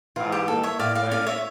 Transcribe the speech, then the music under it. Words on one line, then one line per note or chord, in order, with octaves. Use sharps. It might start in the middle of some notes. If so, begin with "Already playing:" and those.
uh, but
E3 F4
G4
A#3 A4
C#5 E5
A2 D5 F5
D5 F5
C#4 D5 F5
C#5 E5